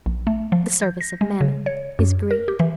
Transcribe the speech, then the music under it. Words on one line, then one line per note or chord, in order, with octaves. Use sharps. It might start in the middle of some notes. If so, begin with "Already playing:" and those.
The service of Mammon is greed.
A#1
A3
F3
G6
A#6
G#3
C#3
C#5
F#2
A#4
G4
E3